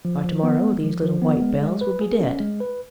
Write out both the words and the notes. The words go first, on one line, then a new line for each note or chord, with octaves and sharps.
"By to-morrow these little white bells will be dead."
F3
F3
B3
G#3
F3
F3
B3
G#3
G#3
B4
G#4
C#4
G#3
B4